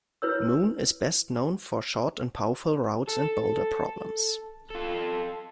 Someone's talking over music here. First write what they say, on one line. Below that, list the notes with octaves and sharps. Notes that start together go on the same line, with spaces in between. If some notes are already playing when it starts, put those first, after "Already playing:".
Moon is best known for short and powerful routes and boulder problems.
E4 B4 C#5 E6
A4
F4 A4